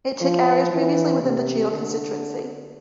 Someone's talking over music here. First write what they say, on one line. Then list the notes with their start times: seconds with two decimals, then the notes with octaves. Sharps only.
It took areas previously within the Cheadle constituency.
0.22 F3
0.72 E3
1.21 C3
1.71 D3